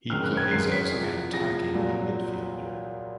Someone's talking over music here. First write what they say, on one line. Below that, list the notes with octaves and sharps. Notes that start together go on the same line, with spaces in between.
He plays as an attacking midfielder.
F#2 D#3 G#3 C4 F6
F#6
G#6
F#2 D#3 G#3 C4 C7
B6
E2 C3 F3
E2 C3 F3 A#6
C2 A#2 F#3